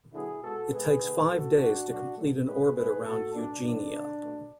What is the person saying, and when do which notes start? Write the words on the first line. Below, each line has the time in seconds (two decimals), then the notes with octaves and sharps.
It takes five days to complete an orbit around Eugenia.
0.14 D3 F#3 B3 E4 G#4
0.43 B2 G#3 B3 F#4 A4
0.72 B2 G#3 B3 G#4 B4
1.02 D3 A3
1.31 B2 A3 F#4 A4
1.59 A2 G#3 B3 D4 F#4
1.89 B2 F#3 A3 D4 F#4
2.18 A2 F#3 A3
2.47 A2 G#3 B3 G#4 B4
2.76 C#3 G#3 B3 G#4 B4
3.05 B2 A3 F#4 A4
3.35 B2 A3 D4
3.64 B2 F#3 A3 D4
3.93 D3 A3
4.22 B2 A3